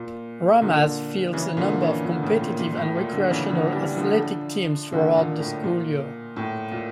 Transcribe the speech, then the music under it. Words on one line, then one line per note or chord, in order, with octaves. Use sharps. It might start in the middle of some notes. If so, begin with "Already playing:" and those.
Ramaz fields a number of competitive and recreational athletic teams throughout the school year.
Already playing: A#2
A#2 D3
C#3 E3
A#2 D3
C#3 E3
A#2 D3
A2 C#3
A#2
A#2
A2
A#2
A#2 D3
C#3 E3
D3 F3
E3 G3
D3 F3
A#2 D3
A#2
A2
A#2
A2
A#2